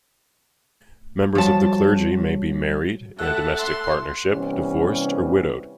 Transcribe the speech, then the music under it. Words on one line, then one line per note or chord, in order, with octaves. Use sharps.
Members of the clergy may be married, in a domestic partnership, divorced, or widowed.
F3 G3 F#4 C#5 A5
A2 A3 E5 F#5 A5 F#6
C6
C3 E3 G3 B3 C#4